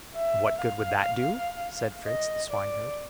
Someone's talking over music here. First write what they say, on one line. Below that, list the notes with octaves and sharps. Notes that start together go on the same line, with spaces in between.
"And what good would that do?" said Fritz, the swineherd.
E5
F5
D#5
D5